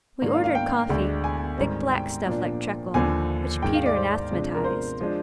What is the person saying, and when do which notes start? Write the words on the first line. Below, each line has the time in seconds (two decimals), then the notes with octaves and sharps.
We ordered coffee, thick black stuff like treacle, which Peter anathematized.
0.22 G#2 D#3 A#3 D4
0.33 F5
0.44 F5
0.55 G5
0.89 D2 D3 G#3 D4
1.24 G#5
1.57 G#2 D#3 G3 C4
1.92 G5
2.26 A#2 F3 A#3 D4
2.94 D#2 D3 F3 G#5
3.62 G#2 D#3 G#3 G5
3.74 F5
3.86 D5
3.97 C5
4.31 C3 F3 G#3 D4
4.55 A#4
4.64 C5
5.00 F3 G#3 D4